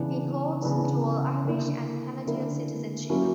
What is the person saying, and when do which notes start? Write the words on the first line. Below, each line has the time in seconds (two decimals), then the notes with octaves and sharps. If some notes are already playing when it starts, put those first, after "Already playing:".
He holds dual Irish and Canadian citizenship.
Already playing: C#3 E3 B3 D4
0.62 C#3 E3 B3 D4
1.45 D3 A#3 E4
2.27 D3 A#3 E4
3.09 F#3 A#3 C#4 E4